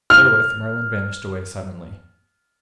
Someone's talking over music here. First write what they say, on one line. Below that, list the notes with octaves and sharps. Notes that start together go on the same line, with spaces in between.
Therewith Merlin vanished away suddenly.
F6